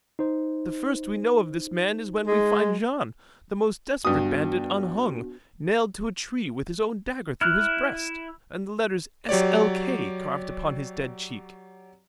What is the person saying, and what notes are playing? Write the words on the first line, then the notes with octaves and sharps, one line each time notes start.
The first we know of this man is when we find Jean, the most desperate bandit unhung, nailed to a tree with his own dagger through his breast, and the letters S.L.K. carved upon his dead cheeks.
D#4 C5
G#3
G2 B3 D4 F#4 D#6
E4 F6 F#6
F#3 G4 C#5 D5